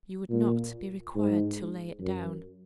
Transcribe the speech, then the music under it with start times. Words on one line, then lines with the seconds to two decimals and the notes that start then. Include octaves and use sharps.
'You would not be required to lay it down.'
0.29 A#2
1.15 G#2
2.00 F#2